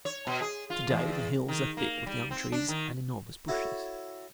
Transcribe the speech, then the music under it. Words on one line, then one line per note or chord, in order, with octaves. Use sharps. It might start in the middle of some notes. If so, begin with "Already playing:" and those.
To-day the hills are thick with young trees and enormous bushes.
C#5
B2
G#4
F4
E2
D#3
A#3
G3
C4
D4
D#3
E4 F#4 A4 C#5